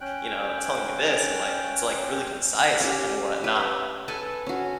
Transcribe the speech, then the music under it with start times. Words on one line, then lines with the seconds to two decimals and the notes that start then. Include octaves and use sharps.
you know, telling me this and, like, it's, like, really concise and whatnot.
0.01 C#4 G5 F#6
2.80 C#4 G4
3.44 B4
4.08 A4 B4 G#5
4.46 C#4 F#4